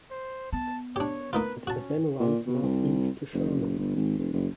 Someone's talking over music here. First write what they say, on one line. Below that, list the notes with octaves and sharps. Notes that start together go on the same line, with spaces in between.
It then runs northeast to Sherman.
C5
B3 A5
D4 G4 C#5
A#3 D#4 F4 B4
C#4 F#4 A5
A#2
B2
C2
F#1
G1
G#1
F1
F#1